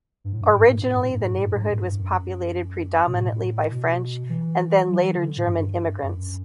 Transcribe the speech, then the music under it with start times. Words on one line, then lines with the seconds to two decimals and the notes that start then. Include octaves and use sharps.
Originally, the neighborhood was populated predominantly by French and then later German immigrants.
0.24 G2
0.33 A2
0.41 G2
0.50 A2
0.58 G2
0.68 A2
0.76 G2
0.85 A2
0.94 G2
1.02 A2
1.11 G2
1.20 A2
1.27 G2
1.37 A2
1.45 G2
1.54 A2
1.62 G2
1.71 A2
1.80 G2
1.98 F#2
3.07 B2
3.13 A2
3.71 B2
4.29 E3
4.87 F#3
5.01 E3
5.16 D3
5.36 A2
5.45 G2
6.03 F#2